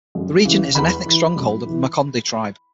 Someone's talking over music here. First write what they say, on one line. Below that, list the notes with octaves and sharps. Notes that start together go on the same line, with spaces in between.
The region is an ethnic stronghold of the Makonde tribe.
F#2
C#3 E3
E2 B5
E3
F#2
E3